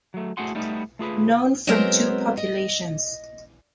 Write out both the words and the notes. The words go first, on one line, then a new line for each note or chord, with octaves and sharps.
Known from two populations.
F#3 A3
A2 A3 F#4 G#4 F#5 C6
G3 A3 B3 D#4
A3 F4 G#4 B4
F#3 G#3 B3 C4 A#4 C5
D#5